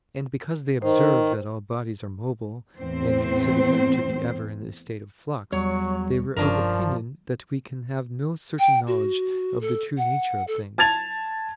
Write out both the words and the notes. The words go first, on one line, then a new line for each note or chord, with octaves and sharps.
And because they observed that all bodies are mobile, and considered them to be ever in a state of flux, they were of opinion that we can have no certain knowledge of the true nature of things.
D#3 C5
E2 A2 C4 C5
E2 F#3 G3 C#5
E1 G2 F3 C#4 D4 A#4
G5
F#4
A4
F#5
A4
A5 G#6 A6 F7